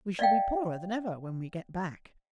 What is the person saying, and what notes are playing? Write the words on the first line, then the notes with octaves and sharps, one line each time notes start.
We shall be poorer than ever when we get back.
D5 D#5 F5 G5